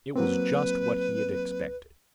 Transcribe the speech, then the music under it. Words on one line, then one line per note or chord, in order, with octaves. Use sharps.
It was just what he had expected.
F#3 A#3 C4 B4